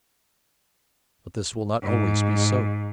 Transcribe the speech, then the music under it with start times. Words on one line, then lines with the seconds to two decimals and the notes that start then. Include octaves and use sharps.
But this will not always be so.
1.83 G#2